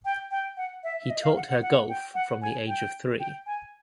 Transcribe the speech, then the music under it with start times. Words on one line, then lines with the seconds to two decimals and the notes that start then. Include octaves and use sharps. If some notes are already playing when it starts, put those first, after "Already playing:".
He taught her golf from the age of three.
0.05 G5
0.31 G5
0.57 F#5
0.84 E5
1.03 E5
1.10 D#5
1.23 F5
1.36 F#5
1.50 F#5
1.62 F#5
1.89 G5
2.15 F#5
2.42 G#5
2.68 G5
3.20 G5
3.46 G#5